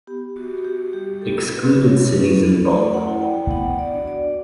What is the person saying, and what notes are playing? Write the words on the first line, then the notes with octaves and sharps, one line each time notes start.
Excluded cities in bold.
B3 G4
F#4
F#4
G4
G3 G4
A4
B3 D4 F#4
B4
A3 C#5
B4
C#4 E4
A4
A3 D5
F#5
E4
G5
B3 F#5
D5
D4 F#4
D5